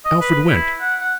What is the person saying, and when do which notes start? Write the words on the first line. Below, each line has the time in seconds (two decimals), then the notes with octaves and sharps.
Alfred went.
0.05 D#5
0.21 B4
0.49 E4
0.81 F#5
1.01 F#5